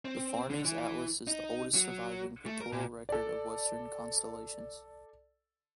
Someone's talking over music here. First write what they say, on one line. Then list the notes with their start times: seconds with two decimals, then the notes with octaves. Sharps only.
The Farnese Atlas is the oldest surviving pictorial record of Western constellations.
0.05 C4
0.50 D3
0.65 E3
1.27 D#4
1.75 F#3
2.46 A3
2.61 A#4
2.72 A#2
3.09 A4 D5